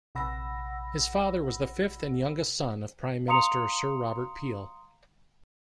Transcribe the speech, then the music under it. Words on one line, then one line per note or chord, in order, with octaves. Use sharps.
His father was the fifth and youngest son of Prime Minister Sir Robert Peel.
A#1 C3 F#5 B5 E6 A#6
F5 A#5 C6 D#6 C#7 F7